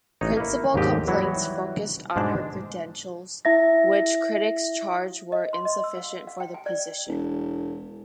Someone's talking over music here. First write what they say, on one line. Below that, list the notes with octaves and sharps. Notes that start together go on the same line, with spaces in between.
Principal complaints focused on her credentials, which critics charged were insufficient for the position.
A1 D#4 C#5
A#3 E4
D#2 G#2 F#3 C4 G4 D#5
E3 F#3 G3 B3 E4 F#4
G#2 B2 G#3 D4 C5 A5
E4 E5 A#6
D#5
C6
D#5
E6
F5
F5
G5
G#5
D5
E1